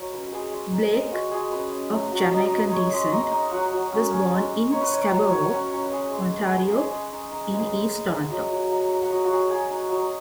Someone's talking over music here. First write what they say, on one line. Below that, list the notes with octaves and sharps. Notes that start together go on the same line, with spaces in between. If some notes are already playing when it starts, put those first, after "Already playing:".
Blake, of Jamaican descent, was born in Scarborough, Ontario, in east Toronto.
Already playing: F#3 D#4 C#5
C#4 B4
B4
G#3 G#4
G#3
D#4
D#4
G#3 F#4
G#3 G#4
C#4 B4
C#4
F#3
F#3
D#4 D#5
D#5
D#4
B4
G#3 C#5
G#3 D#5
D#4 D#5
D#4
F#3 F#5
F#3
C#4
C#4
G#3
G#3
D#4 C#5
B4
D#4 C#5
F#3 B4
F#3 C#5
C#4 F#5
C#4 C#5
B4
G#3 G#4
G#3
C#4 B4
G#4
C#4 B4
B4
G#3 G#4
G#3
D#4
D#4
G#3 B4
G#4
B4
G#3
D#4
D#4
F#3 D#5
F#3
D#4 F#5
D#4
F#5
F#3 D#5
F#4
F#3 G#4
D#4 G#4
D#4
F#3